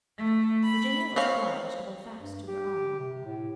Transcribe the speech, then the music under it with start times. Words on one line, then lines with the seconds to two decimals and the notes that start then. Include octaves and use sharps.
Virginia was obliged to hold fast to her arm.
0.17 A3
0.63 B5
1.16 C4 C#5 F5
2.20 G2
2.47 G4
2.99 C3
3.25 A2